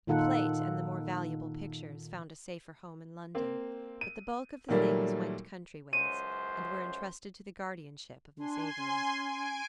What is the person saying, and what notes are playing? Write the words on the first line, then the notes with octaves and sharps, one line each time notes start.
The plate and the more valuable pictures found a safer home in London, but the bulk of the things went country-ways, and were entrusted to the guardianship of Miss Avery.
A#2 D#3 D#4 F4 A4 F#5
A#3 C4
D#7
A#2 D#3 F#3 G3 A3 A#3
C#2 F#2 C5 D#7
D4 G#5 C6
C#4
G#5 D7